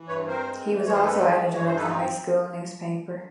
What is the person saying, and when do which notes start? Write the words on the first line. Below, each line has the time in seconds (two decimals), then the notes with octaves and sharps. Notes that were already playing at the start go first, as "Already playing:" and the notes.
He was also editor of the high school newspaper.
Already playing: E3
0.08 G2 B4 C#5
0.27 C4 A#4 C5
0.45 G#3
0.64 E3
0.83 G2 C#5
0.93 C5
1.01 C4 A4 B4
1.19 G#3
1.39 E3
1.55 G2 C#5
1.65 C5
1.75 D#4 A4 B4
1.94 C4